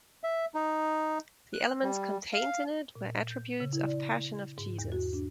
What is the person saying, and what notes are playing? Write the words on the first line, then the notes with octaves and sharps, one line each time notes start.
The elements contained in it were attributes of Passion of Jesus.
E5
D#4
F#6
G3
F5
A#2
G6
C#3
E4
D5
G#2
E2
F#4
D4